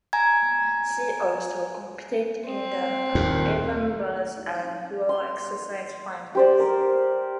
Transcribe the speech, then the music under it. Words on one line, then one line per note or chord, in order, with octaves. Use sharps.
She also competed in the uneven bars and floor exercise finals.
G#5 A#5 G#6
C4
D#2 A#2
C6
G4 C5 D5
A#4